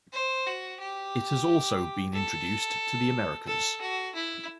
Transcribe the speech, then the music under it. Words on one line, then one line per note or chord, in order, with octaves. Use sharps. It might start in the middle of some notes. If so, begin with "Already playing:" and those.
It has also been introduced to the Americas.
C5
F#4
G4
A4
A4
F#4
E4